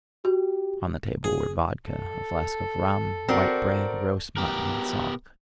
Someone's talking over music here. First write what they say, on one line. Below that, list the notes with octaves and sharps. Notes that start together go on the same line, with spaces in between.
On the table were vodka, a flask of rum, white bread, roast mutton, and salt.
F#4 G4
G#4
A4
C4 F#4 A#4 D5 A#5
B3 G4 A#4